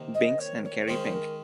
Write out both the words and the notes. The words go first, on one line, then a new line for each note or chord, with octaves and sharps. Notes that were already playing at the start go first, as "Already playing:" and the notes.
Binks and Kerry Pink.
Already playing: C3 D#3 A#3 D#4
D#5
C#5
C#5
D#3 G#3 C#4 C5
A#4